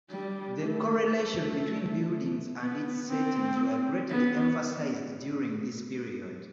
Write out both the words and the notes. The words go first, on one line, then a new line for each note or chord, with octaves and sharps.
The correlation between buildings and its settings were greatly emphasized during this period.
G3
A3
A3
B3
C4
B3